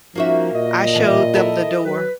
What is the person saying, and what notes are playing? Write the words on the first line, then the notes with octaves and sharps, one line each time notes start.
I showed them the door.
F3 A#3 C#4 D#4 F#4 E5
A#2 D#5
A2 E3
E4 A4 A#4
F#3 B4